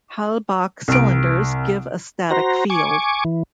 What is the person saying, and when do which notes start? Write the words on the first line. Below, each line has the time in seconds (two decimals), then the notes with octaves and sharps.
Halbach cylinders give a static field.
0.88 C2 D7
2.31 F#4 C5 A#5
2.70 G#5 C#6 D6
3.25 E3